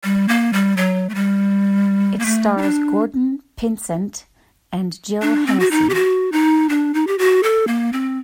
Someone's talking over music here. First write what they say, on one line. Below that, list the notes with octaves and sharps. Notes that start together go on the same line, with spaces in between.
It stars Gordon Pinsent and Jill Hennessy.
G3
A#3
G3
F#3
A3
G3
A#3
A3
D#4
D4
D4
C4
F#4
D#4
G4
F#4
D#4
D4
D#4
G4
F#4
A4
A#3
C4